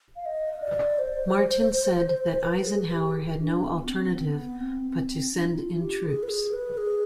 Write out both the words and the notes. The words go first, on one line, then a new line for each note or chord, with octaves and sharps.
Martin said that Eisenhower had no alternative but to send in troops.
F5
D#5
D#5
D5
C5
B4
G#4
G4
D4
B3
C4
C4
B3
C4
D4
D#4
F4
G4
G#4
B4
G#4
B4
G#4